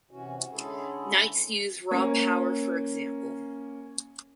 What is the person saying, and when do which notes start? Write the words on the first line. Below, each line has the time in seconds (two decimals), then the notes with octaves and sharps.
Knights use raw power for example.
0.11 C3 E3 C#4 F#4
0.52 D3 G#3 C#4 E4 G#4 A4
1.91 A#3 C#4